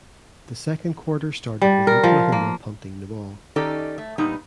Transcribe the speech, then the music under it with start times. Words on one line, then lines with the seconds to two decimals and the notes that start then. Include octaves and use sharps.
The second quarter started with Oklahoma punting the ball.
1.61 G3
1.87 A#4
2.04 F3
2.32 A#3
3.56 D#3 C#4 D#4 G4 A4 D5
3.98 A3
4.18 A#2 G3 B3 D#4